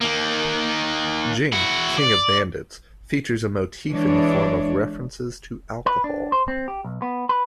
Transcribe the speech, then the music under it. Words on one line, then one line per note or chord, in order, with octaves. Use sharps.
"Jing: King of Bandits" features a motif in the form of references to alcohol.
D#3 A#3
E4 F#4
D5
E3 G#3 D4 C#5
B4
D4
C5
C4
G4
B1
B3
B4